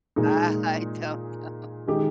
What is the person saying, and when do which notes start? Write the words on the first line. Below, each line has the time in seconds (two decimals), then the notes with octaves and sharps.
Uh, I don't know.
0.16 A#2 G#3 D#4
1.87 D#3 G#3 D#4 G4